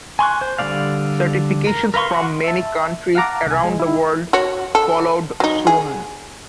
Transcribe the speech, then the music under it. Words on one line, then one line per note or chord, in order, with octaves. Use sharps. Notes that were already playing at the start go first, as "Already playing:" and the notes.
Certifications from many countries around the world followed soon.
G#5 C6 C#6 F#6
C5
D3 G3 A#3 D5 F5
A#4
A#4 B4 F5 C6 C#6
F#4 F#5 C6 C#6
E5 A5
F5 F#5 A5 A#5 D6
C2 G#5
G#3
E4
F#4 C#5
A4
F#3 D#4
G#4